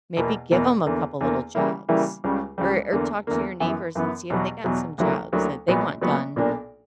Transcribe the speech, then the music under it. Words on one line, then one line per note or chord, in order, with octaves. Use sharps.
Maybe give him a couple little jobs or or talk to your neighbors and see if they got some jobs that they want done.
E2 B2 A#3
E2 B2 A#3
E2 D3 A#3
E2 D3 A#3
C#3 E3 G3 A#3 E4
C#3 E3 G3 A#3 E4
C#2 C#3 G3
C#2 C#3 G3
E2 D3 A#3
E2 D3 A#3
F#2 E3 B3
F#2 E3 B3
E2 B2 F#3
E2 B2 F#3
D2 D3 F#3 A#3 E4
D2 D3 F#3 A#3 E4
A#1 A#2 F#3 B3
A#1 A#2 F#3 B3
B1 A#2 A#3 D4